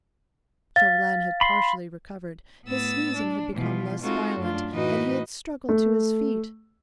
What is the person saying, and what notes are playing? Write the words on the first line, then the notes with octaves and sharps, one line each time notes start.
Chauvelin had partially recovered; his sneezing had become less violent, and he had struggled to his feet.
F5 A6
B5 C6
A2 B3 E6 A6
D4
B2 E3 F3 F4
G#3 C4 D#4 F4 F#4 A4
F#2 A3 D4 F4
A2 E3 D#4 F#4 B4 D#5
A3